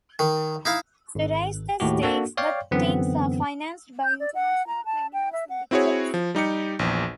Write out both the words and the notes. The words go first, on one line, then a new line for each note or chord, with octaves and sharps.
To raise the stakes, the Tings are financed by international criminal syndicates.
D#3
D#4 E4 F5
G#1
D#2 A2 F#4 G4
A#3 D4 F#4 A4
C#5 D5 F5 G5
F#2 D3 E3 B3 C4
G6
D5
F#5
A#5
A5
G5
E5
F#5
C4 E4 F#4 G#4 C#5
F3
G3 D#4 G4 C#7
A#1 E2